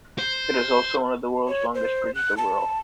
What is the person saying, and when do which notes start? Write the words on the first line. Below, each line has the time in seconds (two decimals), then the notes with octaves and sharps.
It is also one of the world's longest bridges overall.
0.19 C5
1.48 C#5
1.75 C5
2.15 F#6
2.37 A5